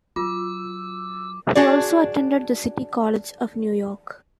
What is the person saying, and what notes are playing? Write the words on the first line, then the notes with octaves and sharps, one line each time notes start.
He also attended the City College of New York.
F#3 F4 D6 E6
D4 F#4 G#4 D5